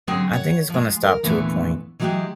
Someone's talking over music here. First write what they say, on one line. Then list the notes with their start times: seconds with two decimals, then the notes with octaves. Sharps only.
I think it's gonna stop to a point
0.07 D3 F#3 C4 G#4 C#5
0.33 C#5 F#5
0.70 F3 G#3
1.03 A#4
1.23 E2 A#2 D3 E3 A3 B3
2.00 E3 F#3 G#3 F4 G4 G#4